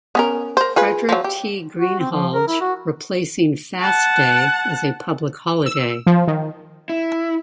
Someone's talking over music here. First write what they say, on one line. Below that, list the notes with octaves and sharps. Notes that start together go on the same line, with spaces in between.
Frederic T. Greenhalge replacing Fast Day as a public holiday.
B3 C#4 A#4
A#4 C5
F4 G#4 B4
F3 F#3
G4
F#4
C4
F3
A#4
E4
F#4
F#5 A5
E6
F3
D#3
E4